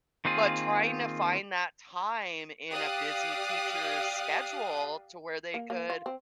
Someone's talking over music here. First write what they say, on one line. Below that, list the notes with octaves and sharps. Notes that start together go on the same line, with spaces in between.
but trying to find that time in a busy teacher's schedule to where they could
D#3 A#3 C4 F4 G#4
G4 D5 F5 D#6 F#6
A#3
A#3
F4
C4